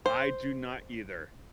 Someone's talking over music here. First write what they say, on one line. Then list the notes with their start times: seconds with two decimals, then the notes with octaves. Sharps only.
I do not either.
0.06 C5